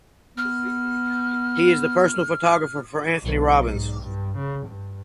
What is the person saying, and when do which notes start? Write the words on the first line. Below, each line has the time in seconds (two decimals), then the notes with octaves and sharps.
He is the personal photographer for Anthony Robbins.
0.37 B3 F6
3.23 B1
3.69 G#2
4.00 G2
4.37 C#3
4.66 G2